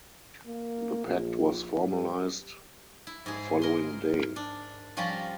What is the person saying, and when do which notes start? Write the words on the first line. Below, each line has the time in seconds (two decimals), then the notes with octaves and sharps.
The pact was formalized the following day.
0.47 A#3
1.06 A#1
1.85 G2
3.07 E4
3.26 G#2 G#4
3.62 A#4 C6
4.36 D4
4.97 F3 G3 C#4 F4 A#5 B5